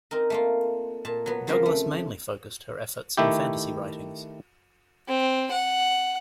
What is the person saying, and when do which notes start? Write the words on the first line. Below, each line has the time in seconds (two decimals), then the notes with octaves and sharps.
Douglass mainly focused her efforts on fantasy writings.
0.11 C4 D#4 A#4
0.30 A3 A#3 F4
1.05 A#2 A5
1.26 F#3 B3
1.47 C#3 F3 G3 A#3 C4 A#4
1.66 A3
3.17 D#3 A3 E4 G4
5.08 C4
5.52 F#5